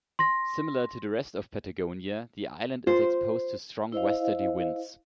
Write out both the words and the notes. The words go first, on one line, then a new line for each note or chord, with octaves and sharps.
Similar to the rest of Patagonia, the island is exposed to strong westerly winds.
C6 A#6
F4 C5
E4 C5 D#5 F5